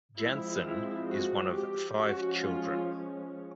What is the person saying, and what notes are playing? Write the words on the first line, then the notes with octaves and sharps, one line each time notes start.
Jantzen is one of five children.
F3 G#3 C4 E4
E4
F#4
G4
F3 G#3 C#4 F#4
F4